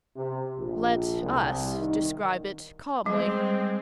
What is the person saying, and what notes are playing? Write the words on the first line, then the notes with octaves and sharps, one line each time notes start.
Let us describe it calmly.
C3
A#1
C2
D#3
G3 G#3 C4